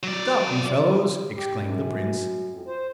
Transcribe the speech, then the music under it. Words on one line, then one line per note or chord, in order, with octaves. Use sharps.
"Stop, you fellows!" exclaimed the prince.
F#3 D5
G4
F#2
F2
C5